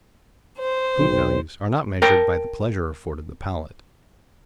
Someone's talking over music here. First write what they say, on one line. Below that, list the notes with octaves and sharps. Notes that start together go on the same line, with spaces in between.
Food values are not measured by the pleasure afforded the palate.
C5
B1 C4
A#4 G5 A5